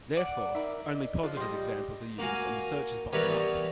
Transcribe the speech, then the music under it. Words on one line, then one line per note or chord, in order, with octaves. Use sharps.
Therefore, only positive examples are used and the search is bottom-up.
D5 F#5
D#4 A#4 E5 A#5 B5
D#5
F3 G#4
G3 G4 D#5 C6
A#3 F#4 F5 G#5
E3 G3 B3 G4 A#4 C#5